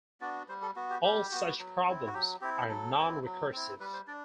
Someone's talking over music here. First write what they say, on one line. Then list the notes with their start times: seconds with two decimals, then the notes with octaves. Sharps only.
All such problems are nonrecursive.
0.21 B3 D4 F#4 D5
0.49 G3 C5
0.62 A4
0.76 B3 F#4
0.90 G4
1.04 G3 G4
1.32 B3 F#4
1.59 F#3
1.87 C4 E4
2.07 F#4
2.14 F#3 G4
2.42 C4 E4 G4
2.69 F#3 A4
2.97 C4 E4
3.25 F#3
3.52 C4 E4
3.79 G3 B4
3.93 C5
4.07 D4 D5